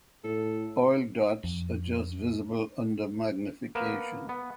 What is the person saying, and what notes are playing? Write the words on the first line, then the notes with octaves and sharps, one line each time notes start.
Oil dots are just visible under magnification.
A2 A4
F2
A#3 B3 A#4 B4
B3